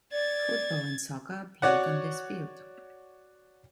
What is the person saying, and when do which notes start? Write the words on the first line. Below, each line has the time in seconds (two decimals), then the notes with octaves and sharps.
Football and soccer are played on this field.
0.12 D5 G#6 A6
1.62 F#4 C#5 D5 F#5